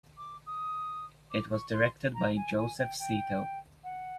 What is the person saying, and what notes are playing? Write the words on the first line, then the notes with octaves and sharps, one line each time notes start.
It was directed by Joseph Zito.
D6
D#6
D6
C#6
C6
A#5
G#5
G#5
G5
G5
F#5